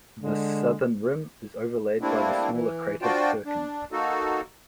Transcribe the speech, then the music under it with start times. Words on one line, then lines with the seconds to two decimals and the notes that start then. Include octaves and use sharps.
The southern rim is overlaid by the smaller crater Perkin.
0.23 D3 G#3
2.01 G3 A3 A#3 C4 D4 E4
2.53 E3
3.02 D4 F4 F#4 C5 D5 G5
3.46 D4
3.92 A#3 D#4 F#4 A4